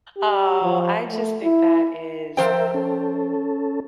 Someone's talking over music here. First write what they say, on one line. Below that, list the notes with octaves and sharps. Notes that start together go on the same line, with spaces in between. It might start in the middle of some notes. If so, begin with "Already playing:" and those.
Oh, I just think that is
G4
F3
A3
E4
F3 A#4 C5 E5 G5
C#4 A4